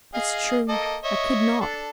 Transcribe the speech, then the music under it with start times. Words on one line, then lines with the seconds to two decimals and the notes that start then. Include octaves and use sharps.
"That's true; I could not!"
0.14 G#4 D#5 F5
0.69 A#3 A4 D#5
1.04 C#5 D#5 E5
1.61 D4 A4